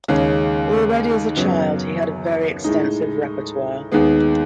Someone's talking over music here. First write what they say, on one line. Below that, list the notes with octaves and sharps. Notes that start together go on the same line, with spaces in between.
Already as a child he had a very extensive repertoire.
D#2 C#3 G#3 C#4
F#2 C#3 F#3 B3
A2 G#3 D#4
D#2 D#3 G#3 B3